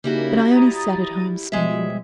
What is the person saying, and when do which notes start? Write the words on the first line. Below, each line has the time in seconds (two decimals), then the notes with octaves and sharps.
But Ione sat at home spinning.
0.04 C#3 G3 A#3 D#4 E4 F#4
0.49 A#5 D#6 A6
1.52 B2 F3 G3 G#3 E5